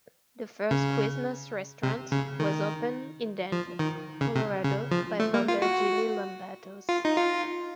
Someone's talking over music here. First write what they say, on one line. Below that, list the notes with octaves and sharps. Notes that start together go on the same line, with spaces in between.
The first Quiznos restaurant was opened in Denver, Colorado, by founder Jimmy Lambatos.
C#3
C3
C#3
D#3
F3
D#3
C#3
C3
C#3
F3
A3
A#3
F4
F#4
F4
D#4
F4